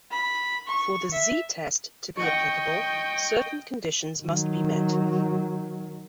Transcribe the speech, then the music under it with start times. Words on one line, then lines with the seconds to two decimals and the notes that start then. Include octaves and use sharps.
For the "Z"-test to be applicable, certain conditions must be met.
0.12 B5
0.67 C#6
1.12 E5
2.17 D#5 G5 C#6
4.21 D#3 F#3